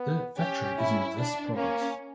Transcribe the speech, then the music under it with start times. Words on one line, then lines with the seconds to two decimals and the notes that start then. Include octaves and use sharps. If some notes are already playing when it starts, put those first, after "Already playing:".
The factory is in this province.
Already playing: B3
0.38 C#4 G4
0.78 E4
1.18 D4
1.56 A#3 C#4